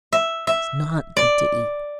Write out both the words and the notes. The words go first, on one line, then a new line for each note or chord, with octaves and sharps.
"It's not good to eat."
E5
E5
D5